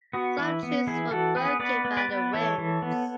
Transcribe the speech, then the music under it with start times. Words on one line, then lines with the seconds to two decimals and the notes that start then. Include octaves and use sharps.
Some trees were broken by the winds.
0.13 B3 F#4
0.38 E3 E4
0.63 B3
0.87 E3 E4 G#4
1.11 E3 F#4 A4
1.36 B3 G#4 B4
1.60 B3 B4 D5
1.85 B3
1.97 B4 D5
2.09 B3
2.33 E3 A4 C#5
2.58 E3
2.82 B3